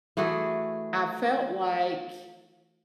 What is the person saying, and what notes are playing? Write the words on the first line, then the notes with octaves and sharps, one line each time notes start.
I felt like
E3 A3 F#4 G#4